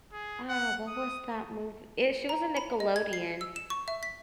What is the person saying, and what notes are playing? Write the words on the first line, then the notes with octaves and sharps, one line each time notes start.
Uh, what was that movie? Eh, she was a Nickelodeon,
G#4
F#5
D#6
A#5
B5
D#5
G#6
C7
E6
E7
C#6
E5
B6